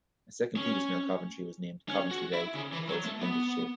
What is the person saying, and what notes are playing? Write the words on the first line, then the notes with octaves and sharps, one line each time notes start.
A second piece near Coventry was named "Coventry Leg" for its appendage shape.
C#4
C#4
F#4
E4
C#3
E3
F#3
A3
B3